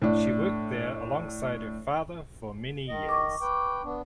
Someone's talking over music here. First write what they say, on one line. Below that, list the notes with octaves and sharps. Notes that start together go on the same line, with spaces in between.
She worked there alongside her father for many years.
A2 D4
D#3 D#5
C#6 D6
B4 G5
B3 D4